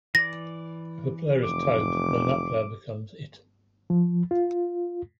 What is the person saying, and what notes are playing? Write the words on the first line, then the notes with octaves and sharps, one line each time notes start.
If a player is tagged, then that player becomes It.
E3 D5 A#6
F1 D6
F3
F4